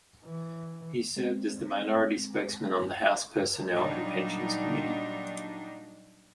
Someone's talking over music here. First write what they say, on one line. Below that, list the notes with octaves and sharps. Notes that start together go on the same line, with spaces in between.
He served as the minority spokesman on the House Personnel and Pensions Committee.
E3
G#3 C4
A#2 F#3 G3 D4 D#4